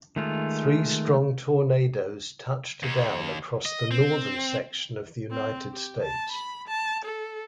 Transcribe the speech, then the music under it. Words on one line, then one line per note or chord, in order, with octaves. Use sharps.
Three strong tornadoes touched down across the northern section of the United States.
D#3 G#3 A3 F4
D#2
D#5
C4
C4
G4
A5
B5
A5
A4